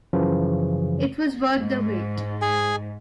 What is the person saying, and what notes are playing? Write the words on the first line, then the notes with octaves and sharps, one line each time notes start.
It was worth the wait.
F#2 C#3 E3 F3
G#2
G#4 G#5